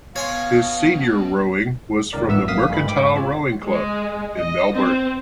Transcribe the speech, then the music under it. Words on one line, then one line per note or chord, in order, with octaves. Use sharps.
His senior rowing was from the Mercantile Rowing Club in Melbourne.
B2 C#5 F5 G#5 C6
C#2 D#3 A#4 D5
A1 G#2 B3 E5 E6
A#1 A#3 F5 D#6 B6
G2 A3 B5
G#2 D#4 G5 D6
C4 F4 C#5
G#3
D#5
C4